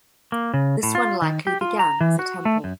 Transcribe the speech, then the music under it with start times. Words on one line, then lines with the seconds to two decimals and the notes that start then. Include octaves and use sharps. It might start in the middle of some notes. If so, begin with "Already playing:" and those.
This one likely began as a temple.
0.32 A#3
0.54 C#3
0.83 A2
0.95 F4
1.22 D#3
1.47 G4
1.61 F4
1.79 A#5
2.01 E3
2.19 F#4
2.45 A3
2.64 F#2